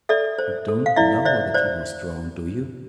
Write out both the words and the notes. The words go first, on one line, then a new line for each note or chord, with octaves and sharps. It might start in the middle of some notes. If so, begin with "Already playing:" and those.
You don't KNOW that he was drowned, do you?
A4 D5 E5
C5
A4
F5
E4 D5 E5
C5 D5 E5
C5 D5